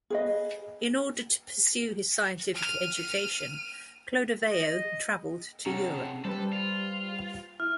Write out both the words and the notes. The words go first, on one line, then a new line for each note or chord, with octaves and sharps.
In order to pursue his scientific education, Clodoveo traveled to Europe.
G#4 B4 D#5
F6 D#7
D#5
C3 C#4 G#4 A4 F#5 A#5
G3 A4 B4 C5
F4
E4 F6